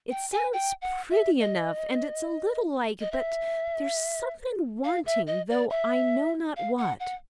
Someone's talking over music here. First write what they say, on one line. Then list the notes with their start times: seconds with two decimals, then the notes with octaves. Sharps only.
"It sounds pretty enough, and it's a little like, but there's something wanting, though I know not what!"
0.11 G5
0.32 G#5
0.53 G5
0.82 F#5
1.10 E5
1.40 D#5
3.01 D#5
3.12 E5
4.84 F5
5.06 E5
5.27 D#5
5.49 D5
5.70 E5
6.56 F5
6.78 F#5
7.00 F#5